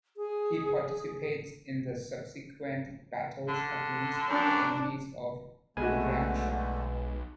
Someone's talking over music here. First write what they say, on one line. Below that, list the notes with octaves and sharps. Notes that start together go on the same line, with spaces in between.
He participates in the subsequent battles against the enemies of Liangshan.
G#4
D3
F#2 D4
B1 D3 G#3 A3 B3 F#4 B4 G#5